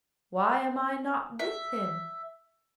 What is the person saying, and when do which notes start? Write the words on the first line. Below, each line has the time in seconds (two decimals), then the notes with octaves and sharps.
Why am I not with him?
1.39 E5